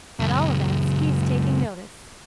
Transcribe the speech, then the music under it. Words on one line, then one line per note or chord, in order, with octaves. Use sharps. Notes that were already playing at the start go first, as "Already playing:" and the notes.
"At all events, he's taking notice."
C#2 F#2